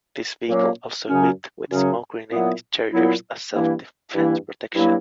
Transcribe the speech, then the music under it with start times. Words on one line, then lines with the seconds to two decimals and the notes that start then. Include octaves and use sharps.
This vehicle also equipped with smoke grenade dischargers as self defence protection.
0.47 A#2 F#3 A#3 C#4
1.08 F#2 C#3 F#3 C#4
1.69 F#2 C#3 F#3 C#4
2.30 A#2 F#3 B3 E4
2.91 A#2 F#3 B3 E4
3.52 G2 E3 A#3 E4
4.13 G2 E3 A#3 E4
4.74 G2 F#3 A#3 E4